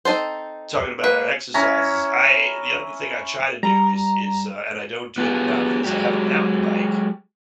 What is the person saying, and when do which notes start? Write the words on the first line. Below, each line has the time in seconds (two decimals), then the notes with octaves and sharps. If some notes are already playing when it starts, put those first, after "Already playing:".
talking about our exercises. I the other thing I try to do is is, uh and I don't do it enough is I have a mountain bike
0.05 C4 D#4 A4 C5
1.04 A#3 B4
1.54 C#4 E4 A#5
3.63 G3 A#5
5.18 B3 F4 G4 G#4
5.84 F#3 G#3 G4